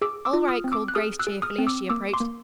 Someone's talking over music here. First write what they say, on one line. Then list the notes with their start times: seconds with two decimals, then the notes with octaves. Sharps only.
"All right," called Grace cheerfully as she approached.
0.02 G#4 D6 E6
0.25 D6 E6
0.33 F4
0.48 D#6 F6
0.64 C4
0.72 D6 E6
0.88 F#6
0.95 G#4 D#6 F6
1.19 E6 F#6
1.27 G#4
1.42 D#6 F6
1.58 C4
1.67 D6 E6
1.89 A#3 D6 E6
2.13 C6 D6
2.21 A#3